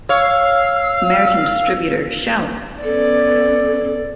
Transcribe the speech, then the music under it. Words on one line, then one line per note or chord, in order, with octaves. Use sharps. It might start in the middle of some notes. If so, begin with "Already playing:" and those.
American distributor Shout!
C#5 F5 E6
B3 C#4 A4 D5